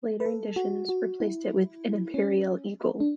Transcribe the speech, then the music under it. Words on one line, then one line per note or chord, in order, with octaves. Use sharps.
Later editions replaced it with an Imperial eagle.
B4
A4
F#4
F#4
E4
C#4
D4